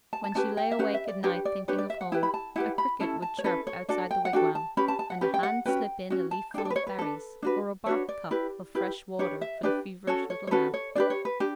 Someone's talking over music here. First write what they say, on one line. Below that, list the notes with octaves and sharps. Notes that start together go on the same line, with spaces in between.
When she lay awake at night thinking of home, a cricket would chirp outside the wigwam, and a hand slip in a leaf full of berries, or a bark-cup of fresh water for the feverish little mouth.
A5
A5
C#4 G4 B4 A5
G5
E5
C#4 G4 B4 F#5
E5
D5
D4 G4 B4 C#5
D5
D4 G4 B4 C#5
D5
E5
F#5
E4 G4 B4 G5
B5
A5
E4 G4 B4 F#5
B5
C#4 E4 A4 A5
A5
C#5
C#4 E4 A4 B4
C#5
D4 F#4 A4 D5
G5
F#5
D4 F#4 A4 G5
A5
C#4 G4 B4 B5
A5
A5
F#5
C#4 G4 B4
G5
F#5
C#4 F#4 B4 G5
C#4 F#4
A5
D4 A4 G5
D5
B4
C#5
B4
D4 A4
D4 F#4 B4
D4 F#4 B4 C#5
D5
E4 G4 B4
E4 G4 B4
D4 G4 B4 C#5
E5
D4 G4 B4 D5
C#4 F#4 A4 C#5
C#5
C#5
C#4 F#4 A4 B4
C#5
D4 G4 B4 D5
C#5
B4
D4 G4